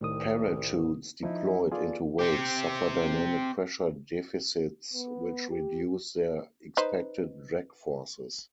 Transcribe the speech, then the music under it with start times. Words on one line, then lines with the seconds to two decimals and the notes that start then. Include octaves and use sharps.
Parachutes deployed into wakes suffer dynamic pressure deficits which reduce their expected drag forces.
0.01 C2 A2 D#3 D#6
1.23 F3 D#4 E4
1.72 B3 F4 G#4 A4 D5
2.19 C4 G4
4.93 B3
5.50 G4
6.77 D#4 B4 C5